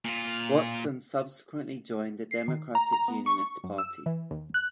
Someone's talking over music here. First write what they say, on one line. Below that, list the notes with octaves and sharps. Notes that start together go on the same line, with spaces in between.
Watson subsequently joined the Democratic Unionist Party.
A#2 F4
C7
D#3
A#5
A#5
B3
C#6
F#2
E6
E3
D#2
F#6